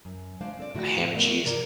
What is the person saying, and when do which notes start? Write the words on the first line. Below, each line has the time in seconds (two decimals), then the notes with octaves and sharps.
A ham and cheese
0.05 F#2
0.41 G#3 A3 D4 C5 F5
0.58 C4 A4 D5
0.75 A2 D3 D#3 F3 E4 F#4
1.15 A3 B3 E4 A#4 D5
1.44 G2 C3 A#4 D5 A#5